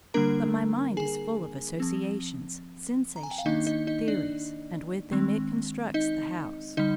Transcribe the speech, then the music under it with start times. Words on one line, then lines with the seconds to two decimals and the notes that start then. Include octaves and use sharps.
But my mind is full of associations, sensations, theories, and with them it constructs the house.
0.14 D3 G3 A#3 D4 A#4 A#5
0.97 G#4 G#5
1.80 F3 C4
3.16 A#5
3.23 G#5
3.31 G5
3.38 F5
3.46 D#3 A#3 D4 D#4 D#5
3.67 D#4 D#5
3.87 D#4 D#5
4.08 D4 D5
5.12 D#3 G#3 C4
5.94 D#4 D#5
6.77 D3 G3 D#4 D#5